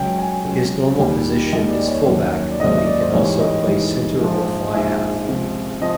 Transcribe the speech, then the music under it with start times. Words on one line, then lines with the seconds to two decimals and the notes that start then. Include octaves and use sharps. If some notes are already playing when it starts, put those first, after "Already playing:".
His normal position is fullback though he can also play centre or fly-half.
Already playing: C#2 C#3 F#3 G5
0.18 G#5
0.45 C#2 C#3 F#3
0.98 D#2 D#3 G3
1.53 D#2 D#3 G3 D#5
1.70 D5
1.88 C#5
2.05 D#2 C#3 F#3
2.51 D5
2.59 D#2 C#3 F#3 D#5
2.73 E5
2.86 D5
3.00 C5
3.13 A1 G#2 E3 G3 C#5
3.40 D#5
3.67 A1 G#2 E3 G3
4.21 A#1 G#2 F3
4.74 A#1 G#2 F3 E5
5.28 C#2 C3 F3
5.81 C3 F3 D#5